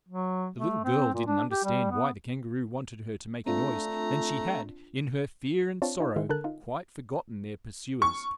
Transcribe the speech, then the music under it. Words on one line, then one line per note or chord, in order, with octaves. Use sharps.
The little girl didn't understand why the Kangaroo wanted her to make a noise, and she had, in her fear and sorrow, quite forgotten their pursuers.
F#3
A3
C4
A#2
D4
G4
G3
B3
A3 C4 D4 F4 A#5
C4 D4 F4 C#5 A5
D#4 F4
D#3 G#3 E4
D3 A4 A#4 A5 F#6
D#4 F4
C#6